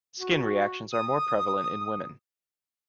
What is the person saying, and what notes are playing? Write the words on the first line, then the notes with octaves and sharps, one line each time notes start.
Skin reactions are more prevalent in women.
F#4
D#6